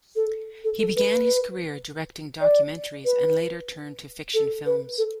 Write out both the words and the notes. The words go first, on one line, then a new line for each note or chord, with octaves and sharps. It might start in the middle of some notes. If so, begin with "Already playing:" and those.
He began his career directing documentaries and later turned to fiction films.
A4
A4
A4
B4
D5
B4
A4
B4
A4